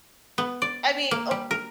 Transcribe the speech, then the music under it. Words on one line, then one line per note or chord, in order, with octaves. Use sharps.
I mean, ok
B3
D5
A#3
G3
A#4